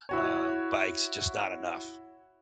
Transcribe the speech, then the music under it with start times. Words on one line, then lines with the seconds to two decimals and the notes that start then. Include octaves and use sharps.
uh, bikes just not enough.
0.09 E4 F#4 C#5